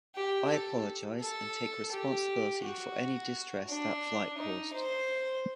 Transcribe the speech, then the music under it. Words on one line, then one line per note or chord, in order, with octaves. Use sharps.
I apologize and take responsibility for any distress that flight caused.
G4
A4
A4
G4
F#4
D4
D#4
C5